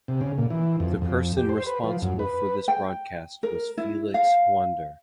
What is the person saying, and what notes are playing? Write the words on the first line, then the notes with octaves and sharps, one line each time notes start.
The person responsible for this broadcast was Felix Huonder.
C3
C#3
A#2
E3
F2
F2
G4
C5
B4
F3
F#2
B4
G5
A#4
E4
F5